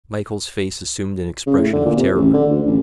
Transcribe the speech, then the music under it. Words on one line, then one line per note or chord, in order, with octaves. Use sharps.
Michael's face assumed an expression of terror.
C#3
A2
D3
A#2
C3
A1
D3
D2
A1